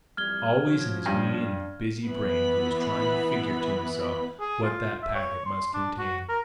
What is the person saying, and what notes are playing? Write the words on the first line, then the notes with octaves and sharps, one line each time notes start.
Always in his mean and busy brain he was trying to figure to himself what that packet must contain.
F2 E3 G3 F6 G#6 G7
F3 C#4 F#4 C#5
G2 D4 D5 F5
E3 B3 B5
G#4
F4
E5
C#5
C6
D4
F#4
A#4